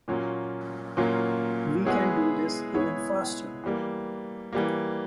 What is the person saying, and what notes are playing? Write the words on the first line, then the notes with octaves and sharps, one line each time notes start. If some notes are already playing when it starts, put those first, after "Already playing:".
We can do this even faster.
A#2 F#3 A#3 C#4 F4
A#2 F#3 A#3 C#4 F4
G#3 B3 E4 G#4 C#5
G#3 B3 E4 G#4 C#5
E3 G3 A#3
E3 G3 A#3